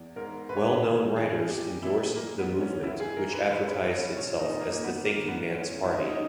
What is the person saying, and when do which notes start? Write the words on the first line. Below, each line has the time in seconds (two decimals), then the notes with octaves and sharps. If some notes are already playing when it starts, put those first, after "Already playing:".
Well-known writers endorsed the movement, which advertised itself as the thinking man's party.
Already playing: E2
0.16 G#2 A#4
0.49 G#2 B4
0.57 C#5
0.64 B4
0.82 D#3 C#5
1.16 D#3 G#4
1.49 A#2 G4
1.83 A#2 E4
2.16 E3 A#3
2.39 B3
2.50 E3
2.61 C#4
2.83 G2 E4
3.00 G#4
3.17 E3 A#4
3.33 B4
3.50 G2 B4
3.59 C#5
3.68 B4
3.83 G2 C#5
4.17 A#2 C#5
4.39 D#4
4.50 A#2
4.61 A#3
4.84 D#3 B3
5.06 A#3
5.17 D#3
5.28 B3
5.50 G#2 C#4
5.84 G#2 E4
5.93 D#4
6.01 C#4
6.10 D#4